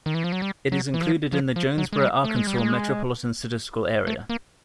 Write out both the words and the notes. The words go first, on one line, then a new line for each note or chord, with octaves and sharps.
It is included in the Jonesboro, Arkansas Metropolitan Statistical Area.
D#3
E3
F3
F#3
G3
F#3
E3
F3
F3
F3
F#3
G#3
G3
A3
G#3
G3
G#3
A3
A#3